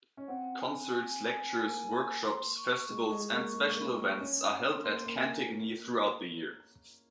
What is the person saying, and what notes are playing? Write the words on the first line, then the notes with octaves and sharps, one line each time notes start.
Concerts, lectures, workshops, festivals and special events are held at Cantigny throughout the year.
C#4
C4 F#5
G#5
A#3
C6
C#6
G#3
G#3
A#3
G#3
A#3
A#3
C#4
A#3 C6
A#3
G#5